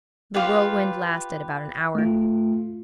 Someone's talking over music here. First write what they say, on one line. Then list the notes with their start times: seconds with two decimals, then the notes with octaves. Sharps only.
The whirlwind lasted about an hour.
0.34 F4 G4 B4
1.95 A3 F4